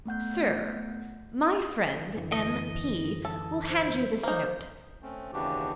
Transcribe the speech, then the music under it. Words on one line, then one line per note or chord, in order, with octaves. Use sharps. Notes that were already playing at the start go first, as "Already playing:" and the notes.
Sir,--My friend, M. P.-, will hand you this note.
A3 B3 F#5 G6
F#2 D3 E3
D#5
A4
C5
A#3 D#4 C5
A3 C4 C#4
D#2 C#3 E3 D4 F#4 G4